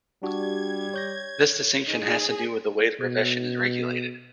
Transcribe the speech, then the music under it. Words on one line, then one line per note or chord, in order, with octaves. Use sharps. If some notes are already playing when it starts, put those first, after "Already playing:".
This distinction has to do with the way the profession is regulated.
G3 D4 F#4 G4 G#6
C#5 G6 A#6
D#4 G#4
B2